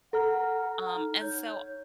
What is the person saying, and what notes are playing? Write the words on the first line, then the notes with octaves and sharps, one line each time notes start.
um, and so
A4 F#5 A#5 F6
D#4
C#5 G6